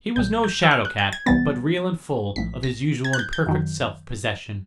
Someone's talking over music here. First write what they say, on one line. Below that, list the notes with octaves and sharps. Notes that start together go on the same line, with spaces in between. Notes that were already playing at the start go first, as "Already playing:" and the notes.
He was no shadow-cat, but real and full of his usual and perfect self-possession.
B1 A#2 G3 G6
G6
E6
F6
F#6
G6
G#6
C2 C3 E3 G3 B3 A6
A#1 A2 F3 B6
A#6
G#6
F#6
G6
G6
F#2 D#3 F#3